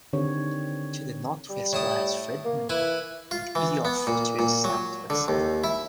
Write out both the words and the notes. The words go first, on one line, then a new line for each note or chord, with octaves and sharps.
To the northwest lies Fridman, with Ioffe to its southwest.
D3 D#3 C4 G4 C#5
G3
A2 A5 D#6
A#3
E3 E4 B4 G#5
F4
E3
B3
A#2
A#2
F#3
D3
D#2
E4